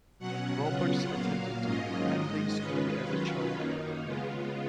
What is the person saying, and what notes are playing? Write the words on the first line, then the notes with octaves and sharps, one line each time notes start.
Roberts attended Cranleigh School as a child.
B2 F#3 C#4 F#5
C#3 F#3 B3 F4
A#2 F#3 A#3 F5
G#2 F#3 A#3 C#4 F4 D#5
G#2 D#3 G#3
D#3 G#3 C#4 F4 B4
D#3 F#3 C#4 F4 B4
F#2 D#3 A#3 D#4
C#3 G#3 B3 F4